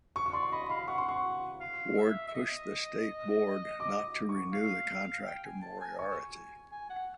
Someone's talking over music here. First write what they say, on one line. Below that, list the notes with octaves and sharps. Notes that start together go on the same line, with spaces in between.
Ward pushed the state board not to renew the contract of Moriarty.
C#6
C#6
D5 C6
C6
D#5 B5
F5 B5
F#5 C#6
C6
C#6
F5
E5
E5
D#5
D6
C#6
F5
G5
G#5
A5
G#5
G#5 C#6
G#5
F#5